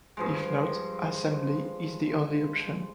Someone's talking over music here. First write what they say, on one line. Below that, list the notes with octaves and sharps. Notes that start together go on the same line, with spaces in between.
If not, assembly is the only option.
G2 F3 G#3